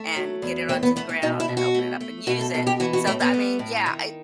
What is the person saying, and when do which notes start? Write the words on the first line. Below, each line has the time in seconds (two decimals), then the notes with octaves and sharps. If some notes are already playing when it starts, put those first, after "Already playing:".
and get it onto the ground and open it up and use it, so tha I mean, yeah, it
Already playing: A3
0.16 F#3
0.42 E2
0.68 A3 C4
0.83 B3
0.96 A3 B3
1.09 B3
1.22 B2 D#4
1.40 E4
1.48 B2
1.57 F#4
1.75 A3
2.01 A3
2.27 B2 F#4
2.41 A4
2.54 B2 A4
2.67 G4
2.80 E3 F#4
2.93 F#4
3.06 A2 A3
3.21 B3
3.34 A3
3.59 A2
3.86 D#3